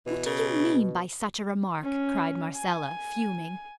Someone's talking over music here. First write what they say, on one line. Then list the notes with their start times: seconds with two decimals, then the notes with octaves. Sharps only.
"What do you mean by such a remark," cried Marcella, fuming.
0.07 B2 E3
0.26 C#3
1.83 C#4
2.56 G#5